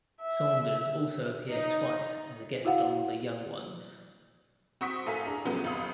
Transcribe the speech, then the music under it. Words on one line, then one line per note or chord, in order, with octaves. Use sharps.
Saunders also appeared twice as a guest on "The Young Ones".
E5
D#4
E4 F#4 F5 F#5
C4 F#4 C#6 D#6 B6
A2 A4 A#4 F5 G#5 B6
D4 G#4 A#5
A2 C#3 F3 F#3 B3 G4
G#1 F2 F5 D#6